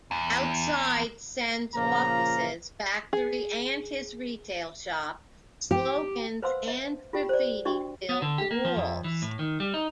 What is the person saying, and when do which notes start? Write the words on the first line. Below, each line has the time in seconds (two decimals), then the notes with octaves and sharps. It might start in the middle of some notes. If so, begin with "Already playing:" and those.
Outside Sen's offices, factory and his retail shop, slogans and graffiti filled the walls.
0.11 E2
1.75 A#2 C#3 F3 A#3 F5 A#5
3.13 G#4
5.71 G4
6.42 B4 C5 F5 F#5 C6 E6
6.68 E5
7.13 F4 G4 G5
7.29 C5 D5
7.65 D4 F#4 E5 G5 C#6
8.09 B3
8.22 D3
8.38 G4
8.51 A#3
8.65 F3
8.76 F2
9.04 E3
9.22 A2
9.39 D#3
9.60 G3
9.74 D#4